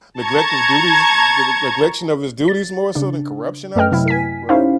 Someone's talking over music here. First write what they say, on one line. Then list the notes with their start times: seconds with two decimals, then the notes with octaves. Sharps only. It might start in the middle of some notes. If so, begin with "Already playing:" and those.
Neglect of duties the the neglection of his duties more so than corruption, I would say? But
0.20 A5 A#5 C#6 G#6
2.48 A6
2.95 C#3 D4
3.76 F#2 A3 B4 D#5 G5 F6
3.92 C3 F#3 E4
4.08 G#5 B6
4.49 C#4 D#4 E4 G4 C5 F5